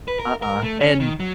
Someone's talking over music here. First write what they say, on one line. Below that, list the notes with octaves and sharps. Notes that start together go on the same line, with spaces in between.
Uh-uh, and
B4
A#4
A#4
A3
C#4
D#3
F#3